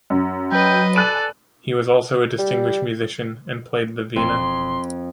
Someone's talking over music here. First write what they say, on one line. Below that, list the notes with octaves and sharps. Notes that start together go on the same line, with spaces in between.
He was also a distinguished musician and played the veena.
F#2
F#3 B4 D#5 G5
A4 D5 G#5 F#6 D#7
G3
E1 F2 C6